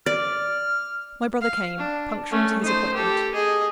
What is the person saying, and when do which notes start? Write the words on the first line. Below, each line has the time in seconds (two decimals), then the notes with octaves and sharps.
My brother came, punctual to his appointment.
0.06 D5 F6
1.41 F5
1.77 D4
2.31 A3 C#4
2.61 D#4 C5
2.94 G4 A4
3.34 G#4 D#5